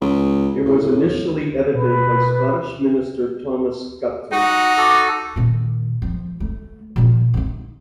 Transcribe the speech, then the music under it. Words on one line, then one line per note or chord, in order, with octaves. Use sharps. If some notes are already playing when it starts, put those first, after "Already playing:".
It was initially edited by Scottish minister Thomas Guthrie.
C#2
A2
B2 B4
D#4 F#4 F#5
F#4 A4 D6
A#2 D#3
F3
A3
A#2 F3
D4 D#4